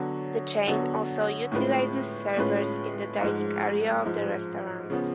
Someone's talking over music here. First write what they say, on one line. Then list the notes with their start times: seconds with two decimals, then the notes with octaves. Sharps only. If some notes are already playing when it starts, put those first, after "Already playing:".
The chain also utilizes servers in the dining area of the restaurants.
Already playing: D3 F#3 B3 F#4 C#5
0.67 D3 F#3 B3 F#4 C#5
1.52 A2 G#3 C#4 F4 B4
2.37 A2 G#3 C#4 F4 B4
3.21 G#2 F3 G#3
4.05 G#2 F3 G#3
4.90 C#3 F3 B3